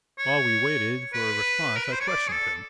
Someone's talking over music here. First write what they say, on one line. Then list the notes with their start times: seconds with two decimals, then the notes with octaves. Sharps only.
While we waited for a response I questioned him.
0.19 C#5
1.14 B4
1.76 A#4
1.84 B4
1.92 C5
2.00 C#5
2.08 D5
2.28 G#4
2.32 A4